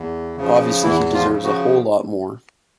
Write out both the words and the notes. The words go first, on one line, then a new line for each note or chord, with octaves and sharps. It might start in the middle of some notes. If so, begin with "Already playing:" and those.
Obviously he deserves a whole lot more.
Already playing: E2
C#3 F3
E2 E3 E4
F3 F4
C#3 F3
F#4